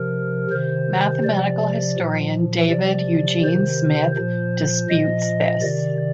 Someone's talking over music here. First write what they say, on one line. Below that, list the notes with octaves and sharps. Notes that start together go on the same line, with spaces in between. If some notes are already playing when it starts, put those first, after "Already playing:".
Mathematical historian David Eugene Smith disputes this.
Already playing: C3 F3 A#4
C3 D#3 C5
C3 F3 D5
A#2 F3
C3 F3 D5
C3 D#3 C5
A#2 F3 C5
A#2 F3 D#5
C3 D#3 D5